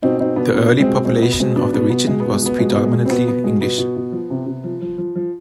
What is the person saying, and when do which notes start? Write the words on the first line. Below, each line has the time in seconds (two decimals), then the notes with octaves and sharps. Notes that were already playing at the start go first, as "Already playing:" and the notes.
The early population of the region was predominantly English.
0.02 B2 C4 D#4
0.20 B2 C4 D#4
0.36 B2 B3 D4
0.54 B2 B3 D4
0.70 B2
0.80 G#3 C4
0.88 B2
1.05 B2 G#3 C4
1.22 B2 B3
1.32 B3
1.39 B2 G#3 C4
1.56 B2 B3 D4
1.73 B2 B3 D4
1.90 B2 B3
2.07 B2 G#3
2.20 B3
2.25 B2
2.33 G#3
2.42 B2 B3
2.58 B2 G#3
2.70 B3
2.75 B2
2.83 G#3
2.92 B2
3.05 C4
3.10 B2 B3
3.27 B2 B3
3.44 B2 G#3
3.61 B2 B3
3.78 B2
3.96 B2
4.12 F3
4.30 C3
4.46 C3
4.64 F3
4.82 F3
4.98 F3
5.16 F3